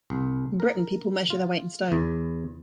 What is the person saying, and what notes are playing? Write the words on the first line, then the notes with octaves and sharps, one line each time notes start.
In Britain people measure their weight in stone.
C2
A#4
F4
E2